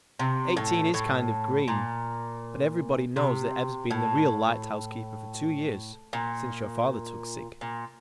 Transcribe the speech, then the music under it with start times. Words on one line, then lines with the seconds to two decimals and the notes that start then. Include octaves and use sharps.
Eighteen is kind of green, but everybody knows that Ev's been the real lighthouse keeper for two years, since your father took sick.
0.19 C3
0.57 A2
0.94 A2
1.68 A#2
3.16 C3
3.90 A2
6.13 A#2
7.61 A#2